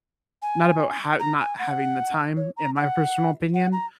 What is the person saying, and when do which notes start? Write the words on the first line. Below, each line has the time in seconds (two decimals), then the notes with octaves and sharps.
not about ha not having the time in my personal opinion,
0.42 G#5
1.20 A#5
1.40 G#5
1.59 F#5
2.37 C#5
2.57 A#5
2.76 F#5
3.54 F#5
3.72 A#5